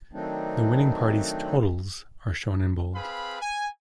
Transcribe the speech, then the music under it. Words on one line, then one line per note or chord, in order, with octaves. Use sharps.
The winning party's total's are shown in bold.
D#3 F#3 A3 C4 D4 D#4
C4 G#4 B4 F5 B5
G#5